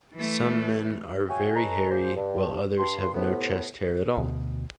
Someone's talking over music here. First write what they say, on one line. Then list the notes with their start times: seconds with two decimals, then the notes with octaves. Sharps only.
Some men are very hairy, while others have no chest hair at all.
0.15 E3 A3
1.29 F#4 G#4 C#5 E5 G5 G#5
1.55 A4 B4 C#5 D#5 G#5 A#5
1.90 C2 F3 A#3 G#4 C5
2.16 G2
2.78 G2 C6
3.14 A2 C3 B3
4.17 D2 B2